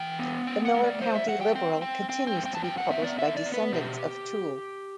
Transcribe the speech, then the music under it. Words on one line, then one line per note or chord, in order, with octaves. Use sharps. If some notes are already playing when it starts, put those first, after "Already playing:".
The "Miller County Liberal" continues to be published by descendants of Toole.
Already playing: E3 G5
B3
C4 G5
F#5
A3
D5
F#3 C5
E5
F#3 F#5
G5
C4 G5
C4 G5
C4 G5
G5
G2
G5
A5
F#3 G5
F#5
B3 E5
D5
D3 E5
D5
B3
B4
B2 G4